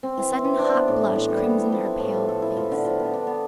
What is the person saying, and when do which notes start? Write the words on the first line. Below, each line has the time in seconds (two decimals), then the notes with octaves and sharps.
A sudden, hot blush crimsoned her pale face.
0.03 C4
0.17 E3
0.31 C4
0.44 E3
0.59 D4
0.74 B3
0.88 A2
1.01 E3
1.16 A2
1.30 G3
1.44 B3
1.58 E4
1.72 F3
1.86 E4
2.00 A2
2.14 F3
2.29 A4
2.42 E4
2.57 F3
2.72 D3
2.84 F3
3.00 B3
3.14 D4
3.27 B3